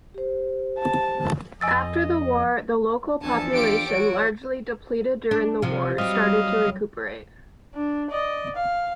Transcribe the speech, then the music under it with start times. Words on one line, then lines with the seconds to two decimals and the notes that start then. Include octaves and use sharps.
After the war the local population, largely depleted during the war, started to recuperate.
0.14 G4 C5
0.79 A5
1.61 F2 D#5 G#5 E6 A6
3.21 E2 F3 D4 A4 G#5 A5
3.52 D4 F4 G4 D7
3.88 F#4 C#5
5.31 D4
5.62 C3 F3
5.98 F#3 G3 D#5 F5
7.74 D4
8.11 D5 D#5
8.56 F5